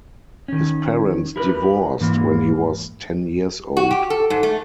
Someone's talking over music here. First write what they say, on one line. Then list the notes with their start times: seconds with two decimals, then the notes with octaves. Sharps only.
His parents divorced when he was ten years old.
0.48 D#3 C#4
1.36 E4 G4 A#4 B4
2.00 G#2 E3 A#3
3.77 F#4
3.91 G4
4.10 A4
4.30 G#2
4.43 A3